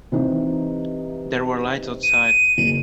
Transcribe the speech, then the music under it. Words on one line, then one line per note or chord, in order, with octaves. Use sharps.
There were lights outside.
C3 E3 D#4
D#7
F#1